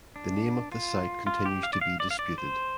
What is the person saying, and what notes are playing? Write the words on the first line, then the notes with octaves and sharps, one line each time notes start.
The name of the site continues to be disputed.
D4
F4
F4
G4
F5
D5
F5
D5
F5
D5
C5